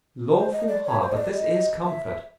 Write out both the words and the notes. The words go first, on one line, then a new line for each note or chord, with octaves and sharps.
Lawful heart, but this is comfort.
C5
D#5
D5
C#5
C5
D#5
D5
D#5
E5